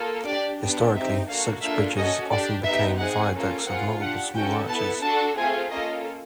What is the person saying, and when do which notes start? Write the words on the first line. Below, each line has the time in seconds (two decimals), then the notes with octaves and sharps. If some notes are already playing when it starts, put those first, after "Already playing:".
Historically, such bridges often became viaducts of multiple small arches.
Already playing: A#3 F4 A4
0.25 D4 G4 D5
0.60 B3 D4 G4
0.94 C4 D#4 G4 E5
1.27 A#3 D4 F#4 A4 F5
1.61 A#3 D4 F4 A4 E5
1.96 C#4 F#4 A4 D#5
2.30 D4 G4 D5
2.63 B3 D#4 G4 E5
2.98 C4 D#4 G#4 F#5
3.33 A#3 C#4 F4 A4
3.66 C4 F4 G#4 F#5
4.00 D4 G4 F#5
4.34 C#4 F#4 A4 G5
4.68 B3 E4 A4 A5
5.02 D4 F#4 A4 A5
5.36 A3 C4 F4 G#4 G#5
5.70 A#3 C#4 F4 A4 D#5